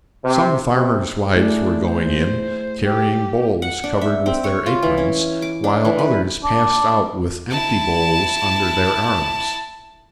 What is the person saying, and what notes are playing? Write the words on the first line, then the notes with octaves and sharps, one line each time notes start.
Some farmers' wives were going in, carrying bowls covered with their aprons, while others passed out with empty bowls under their arms.
C3
C3
A3 D4 E4 G#4
C5
G4
F#5
D4
E5
C4
C#5
F4
E3
C#4
D6
D4
E3
B4
D4
E4 A5